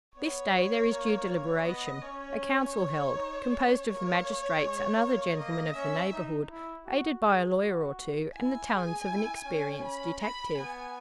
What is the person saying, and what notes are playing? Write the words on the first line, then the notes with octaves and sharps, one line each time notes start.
This day there is due deliberation; a council held, composed of the magistrates and other gentlemen of the neighbourhood, aided by a lawyer or two, and the talents of an experienced detective.
B3 C#5
A#3
B3 D#5
C#4 C#5
C#5
D#4
C#4
A#3 C#5
G#3
A#3
A#3 D#5
C#4 E5
D#4
E4
F#4
G#4
F#4
E4 G#5
G#4
E4
C#4
B5
B5
B3 G#5